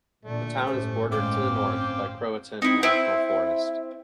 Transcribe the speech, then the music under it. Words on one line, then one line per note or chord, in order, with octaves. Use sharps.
The town is bordered to the north by Croatan National Forest.
A#2 D3 A3 D5
G1 A2 C#4 G4 C5
G#3 C5 F5 G5 D6
C4
C4 D#4 E4
C4 E4 E5